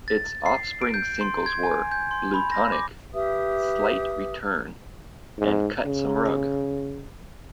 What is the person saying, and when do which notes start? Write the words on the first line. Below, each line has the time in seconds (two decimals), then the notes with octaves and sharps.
Its offspring singles were "Bluetonic", "Slight Return" and "Cut Some Rug".
0.08 A6
0.46 C7
0.82 D7
0.94 G6
1.21 C6
1.46 G#6
1.63 G#5
1.91 G6
2.11 C6
2.34 B5
2.52 A#6
2.72 D6
3.13 G4 B4 E5 D#6
5.38 G#2
5.85 C#3